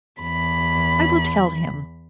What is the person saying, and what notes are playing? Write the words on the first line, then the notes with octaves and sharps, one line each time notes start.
"I will tell him."
E2 B5